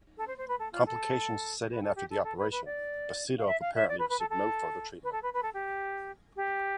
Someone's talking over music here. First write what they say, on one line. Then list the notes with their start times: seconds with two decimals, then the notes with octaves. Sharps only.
Complications set in after the operation, but Sedov apparently received no further treatment.
0.17 A4
0.27 C5
0.38 C5
0.48 B4
0.59 A4
0.72 F4
0.86 A4
1.70 B4
1.83 A4
1.96 G4
2.10 A4
2.24 A4
2.38 B4
2.51 B4
2.65 D5
3.38 F5
3.47 E5
3.61 F5
3.75 E5
3.89 D5
3.99 B4
4.09 B4
4.19 A4
4.30 A4
5.04 B4
5.12 A4
5.23 B4
5.33 B4
5.43 A4
5.54 G4
6.36 G4